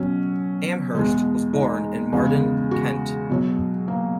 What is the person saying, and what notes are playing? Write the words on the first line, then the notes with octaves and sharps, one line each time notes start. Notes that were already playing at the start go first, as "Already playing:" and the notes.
Amhurst was born at Marden, Kent.
Already playing: B2 F#3 C#4
E2 B2 G#3
D#4
E2 C#3 G#3
F#4
B2 F#3
A#3